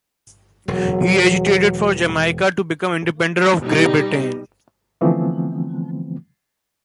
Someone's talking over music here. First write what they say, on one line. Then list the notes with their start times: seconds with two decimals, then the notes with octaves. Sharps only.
He agitated for Jamaica to become independent of Great Britain.
0.68 E1 F#3
3.63 B2 G3 D#4
5.01 D3 E3 F3 A3 B3 C4